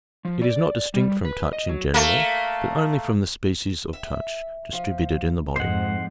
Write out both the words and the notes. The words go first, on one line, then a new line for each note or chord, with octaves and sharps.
It is not distinct from touch in general, but only from the species of touch distributed in the body.
F3
D5
G3
B4
D#5
F#3
A3 A#3
E5
F3
F2 G#2 G#3 C5 F#5